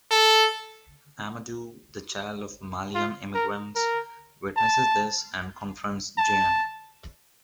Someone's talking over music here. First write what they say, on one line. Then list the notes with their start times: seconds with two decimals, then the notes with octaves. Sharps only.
Amadou, the child of Malian immigrants, witnesses this and confronts Jean.
0.11 A4
2.95 F4
3.35 A#4
3.75 A#4
4.57 A5
6.18 A5